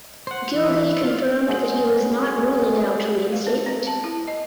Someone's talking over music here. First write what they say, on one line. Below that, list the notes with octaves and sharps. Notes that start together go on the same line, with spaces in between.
Gilday confirmed that he was not ruling out reinstatement.
C5 F#5
E3 E4
F4 F5
F#3 G#3
F5
B3
C4
A5
E4
D#5